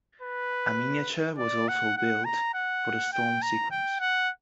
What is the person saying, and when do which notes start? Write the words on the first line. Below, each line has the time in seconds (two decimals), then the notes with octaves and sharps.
A miniature was also built for the storm sequence.
0.22 B4
1.38 D5
1.68 F#5
1.97 F#5
2.25 A#5
2.54 F#5
3.13 G5
3.42 A#5
3.71 G5
4.00 F#5